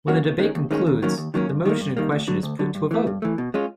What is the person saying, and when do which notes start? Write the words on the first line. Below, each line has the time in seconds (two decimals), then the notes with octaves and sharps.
When the debate concludes, the motion in question is put to a vote.
0.08 F#3 A#3 C#4 F#4
0.24 D#2
0.39 D#3 G#3 C#4
0.55 D#2
0.71 D#3 G#3 C#4
0.87 D#2
1.02 D#3 F#3 A#3 C#4
1.18 D#2
1.34 D#3 F#3 A#3 C#4
1.49 G2
1.65 D#3 G3 A#3
1.81 G2
1.97 D#3 G3 A#3
2.12 D2
2.28 D3 F#3
2.43 D2
2.59 D3 F#3
2.75 G2
2.91 E3 A3
3.07 G2
3.22 E3 A3
3.38 B2
3.54 G#3 C#4 F4